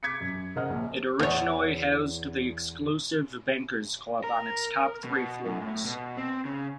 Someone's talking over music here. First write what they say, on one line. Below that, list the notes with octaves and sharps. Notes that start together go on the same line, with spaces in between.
It originally housed the exclusive Bankers Club on its top three floors.
D6 G#6 B6 C#7
F#2
C#3 A#4 C5 D#5 F#5 F6
A#1
E2 C#5
A#4
B2
F#2
A2
B2
C4
C#3